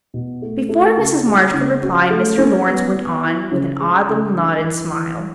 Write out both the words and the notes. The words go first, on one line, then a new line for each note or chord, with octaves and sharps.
Before Mrs. March could reply, Mr. Laurence went on with an odd little nod and smile...
B2
A3
A3
C#3
G#3
C#3
F#4
A3
C#4
B3
B3
E4
C#3
G#3
C#3
D4
E3
E3